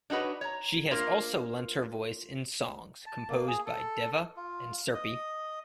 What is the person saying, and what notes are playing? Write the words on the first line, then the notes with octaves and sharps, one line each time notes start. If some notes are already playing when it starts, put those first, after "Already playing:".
She has also lent her voice in songs composed by Deva and Sirpy.
D4 D#4 F#4 B4 C#5
C#5 A#5
A#3 D4 F4 A#4 C5 F5
A5
A#3
G#4
A4
F4
D#5